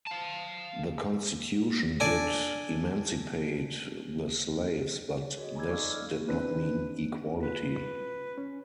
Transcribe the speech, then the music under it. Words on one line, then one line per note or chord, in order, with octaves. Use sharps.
The constitution did emancipate the slaves, but this did not mean equality.
F5 A5
D4 A4 D5 G#5
G#4 C#5
F#4 G#4 D#5
G#5 A#5 B5 D6 E6 G#6
D#4 D5 D#5 F5 C#6 D6
E6 F6
C4 D4 E4 B4
F4 B4
C#4